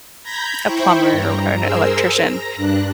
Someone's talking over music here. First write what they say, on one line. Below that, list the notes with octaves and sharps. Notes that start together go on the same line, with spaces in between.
a plumber or a an electrician,
A#5 B5 G6 G#6 A#6 B6
E4 C5 G5 B5 C#6
G2 A#5
G#4 A#4 C5 E6
A#5 A#6
G2 D4 F#6